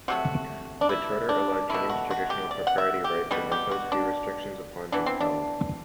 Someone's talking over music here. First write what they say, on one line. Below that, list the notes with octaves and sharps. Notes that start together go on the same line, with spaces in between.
The charter allowed James traditional propriety rights and imposed few restrictions upon his powers.
C3 F#3 A3 F#4
D4
E4
D4
B2 A3 E4
F#4
F#4
G4
D5
F#5
E5
G4
B2 G3 B3 F#4
G4
F#4
D4
E3 B3 D4
C4
D4